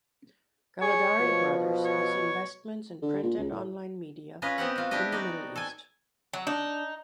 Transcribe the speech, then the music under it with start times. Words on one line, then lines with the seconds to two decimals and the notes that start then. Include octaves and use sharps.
Galadari Brothers has investments in print and online media in the Middle East.
0.82 G#4 C#5
1.20 B2 F3
1.85 C#5
3.02 D3
3.23 A#2
3.38 C#2
3.52 A2
4.42 C#4 F4 B4 D#5
4.58 B3 C4 G4 F#5
4.76 F4 F#4
4.91 D4 E4 G4 D#5
5.12 D#4 F#4 D5
5.56 A4 G#5
6.33 F#3
6.47 D4 D#4